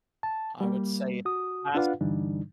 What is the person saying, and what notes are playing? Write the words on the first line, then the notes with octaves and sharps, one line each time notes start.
I would say it has
A5
G3 A#3
F#4 D#6
D4 F4 B4 F5 F#5
G2 D3 E3 G3 D4 D#4